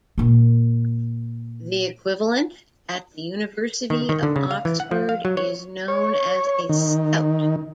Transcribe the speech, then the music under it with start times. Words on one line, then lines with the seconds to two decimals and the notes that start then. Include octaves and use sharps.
The equivalent at the University of Oxford is known as a "scout".
0.18 A#2 A#3
3.90 D#3
4.09 D#3
4.23 D3
4.36 C#3
4.51 F5
4.65 E3
4.80 F#5
4.91 F3
5.09 F5
5.25 F#3
5.37 C#5
5.88 C#5
6.69 D#3